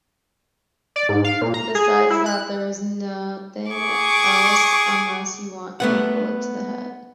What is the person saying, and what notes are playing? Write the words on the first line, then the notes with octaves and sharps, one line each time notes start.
Besides that there is nothing else unless you want a bullet to the head.
D5
G#2
F5
A#2
A#5
G#4
E4
F#6
G#4 C#6 D6
A3 B3 F#5